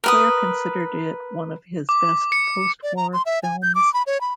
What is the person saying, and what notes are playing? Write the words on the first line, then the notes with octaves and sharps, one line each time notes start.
Clair considered it one of his best post-war films.
A#4 B4 D#6
D6
C#7
D5
A#5
C6
E5
G#5
G6
D6
B5
C#5
B5